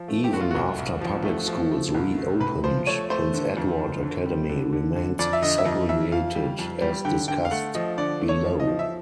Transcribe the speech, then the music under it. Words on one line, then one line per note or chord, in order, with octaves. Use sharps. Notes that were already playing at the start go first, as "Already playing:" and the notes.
Even after public schools re-opened, Prince Edward Academy remained segregated as discussed below.
Already playing: F3
A3
G4
A3 F#4
F4
C2 F#4
C2
F3
A3
F3
A3
C2
A3
C3 B4
F3 C5
A3 C#5
A3 C5
D3
F2
F2
D3
G3
D3
D3
D3
F2 D5
E5
D3 D#5
E5
F2 D#5
F2 E5
F2 F5
G3
F2
G3
D3 G5
D3 G5
F5
A3 F#5
F3 D#5
D3 D5
A3
C#5
F3
D#5
F3
E5